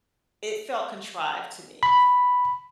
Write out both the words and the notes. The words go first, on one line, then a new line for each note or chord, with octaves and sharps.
it felt contrived to me.
B5